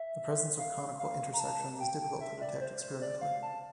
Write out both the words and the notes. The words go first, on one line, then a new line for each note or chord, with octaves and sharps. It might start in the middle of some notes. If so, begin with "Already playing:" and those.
The presence of conical intersections is difficult to detect experimentally.
Already playing: E5
F5
F5
A#5
A5
G5
E5
D5
C5
C5
D5
F5
A5